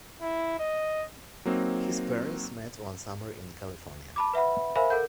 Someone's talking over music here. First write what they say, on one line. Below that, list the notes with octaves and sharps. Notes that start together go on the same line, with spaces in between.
His parents met one summer in California.
E4
D#5
F#3 A#3 C4 D#4
A5 B5 D6
B4 E5 F#5 B5
A#4 C5 E5 F5 G#5 B5
A4 A#4 F#5 G6